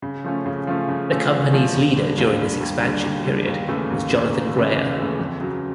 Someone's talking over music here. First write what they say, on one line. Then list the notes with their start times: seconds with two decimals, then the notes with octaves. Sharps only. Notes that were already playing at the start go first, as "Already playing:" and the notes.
The company's leader during this expansion period was Jonathan Grayer.
0.02 C#3
0.24 F3 A3 C#4
0.46 C#3
0.67 F3 A3 C#4
0.89 C#3
1.11 F3 A3 C#4
1.32 C#3
1.53 F3 A3 C#4
1.74 D#2
1.96 D3 G3
2.18 D#2
2.39 D3 G3
2.61 D#2
2.83 D3 G3
3.04 D#2
3.25 D3 G3
3.47 D#2
3.69 C#3 E3 A3
3.91 D#2
4.11 C#3 E3 A3
4.33 D#2
4.54 C#3 E3 A3
4.76 D#2
4.97 C#3 E3 A3
5.19 F2
5.40 C#3 F#3